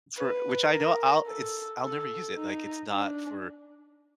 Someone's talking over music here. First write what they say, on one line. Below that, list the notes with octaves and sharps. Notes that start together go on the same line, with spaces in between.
for which I know I'll it's I'll never use it. Like, it's not for
B4
A#4
A4
A4
D#4
D4